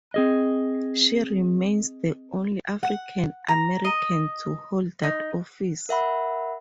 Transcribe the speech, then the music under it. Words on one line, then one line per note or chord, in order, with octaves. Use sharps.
She remains the only African American to hold that office.
C4 G#4 D#5
F#5
A#5
D#5
D#4
A#4 E5 F#5 B5